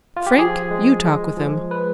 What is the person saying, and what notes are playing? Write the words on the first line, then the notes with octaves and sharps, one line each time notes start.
Frank, you talk with him.
F4
G4
F3 G#4
G#3
G#3
F3
B4